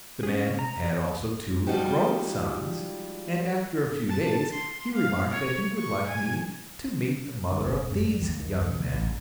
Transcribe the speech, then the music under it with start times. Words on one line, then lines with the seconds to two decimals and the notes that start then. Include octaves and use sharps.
The man had also two grown sons, and after a few days he remarked that he would like me to meet the mother of these young men.
0.23 C#4 G#4
0.59 A#5
1.67 F3 G3 G#3 D#4 F#4 G4
4.08 A5
4.51 C6
4.95 F5
5.31 C#5
5.76 C#6
6.07 G#5
7.52 D3
7.65 D#1
7.77 B2
7.91 F#2
8.05 G2
8.22 D#2
8.40 D#3
8.54 D2
8.67 B2
8.80 B2
8.94 A1
9.06 G#2